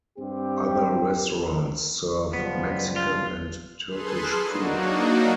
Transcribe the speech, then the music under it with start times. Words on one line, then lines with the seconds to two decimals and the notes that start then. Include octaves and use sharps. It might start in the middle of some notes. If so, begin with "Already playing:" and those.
Other restaurants serve Mexican and Turkish food.
0.18 G2 C4 G4
2.33 C#2 F#2 F3 G3 B3
2.96 F4
3.87 G#4 A4 B4 C6
4.44 F#3 A#3 D4 D#4 F#4